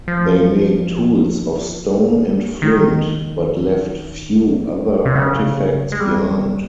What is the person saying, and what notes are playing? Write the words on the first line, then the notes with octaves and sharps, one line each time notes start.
They made tools of stone and flint but left few other artifacts behind.
F3
D#3
C3
C#3
G#3
G3